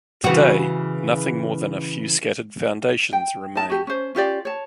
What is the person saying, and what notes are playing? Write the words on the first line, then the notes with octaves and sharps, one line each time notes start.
Today, nothing more than a few scattered foundations remain.
C#3 E3 F#4
G5
D#4 A5
F#4 G4
C#4 C5
C#4 F4 G4 D5
C#5 A5